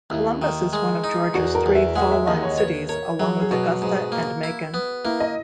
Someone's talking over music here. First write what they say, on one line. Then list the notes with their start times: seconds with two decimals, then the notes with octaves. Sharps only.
Columbus is one of Georgia's three Fall Line Cities, along with Augusta and Macon.
0.10 D#2 E4
0.42 D#3
0.73 G#3
1.04 D#4
1.34 E2 F#4
1.55 A#4
1.66 E2
1.75 E5
1.96 G#3 F#5
2.11 E5
2.27 D#2 D#5
2.43 C#5
2.58 B4 C#5
2.89 A#4 C#5
3.20 F#3 G#4
3.41 G#4
3.51 B2 F#4
3.82 G#2
4.12 A#3
4.43 E4
4.74 B3
5.05 A#3 E4
5.20 D#5